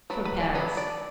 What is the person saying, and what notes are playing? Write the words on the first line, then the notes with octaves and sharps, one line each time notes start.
"From Paris."
F#3 D4 B4
B4
D5
F#3 B3 D4 B4
D5